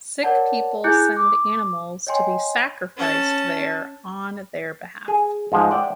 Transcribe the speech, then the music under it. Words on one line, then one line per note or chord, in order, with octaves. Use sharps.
Sick people send animals to be sacrificed there on their behalf.
A#4 C#5 D5 F#5 A5
E4 G#4 G#5 F#6 G6 C#7
D6
C#5 D#5 G5 G#5 C6
C#4 A5
G#4
G#2 F3 G#3
D5 E5 F#5 G5